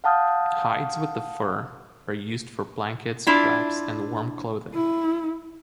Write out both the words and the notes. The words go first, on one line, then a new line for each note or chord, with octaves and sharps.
Hides with the fur are used for blankets, wraps, and warm clothing.
F5 F#5 A5 D#6 F6 G6
D4 E4 F4
E4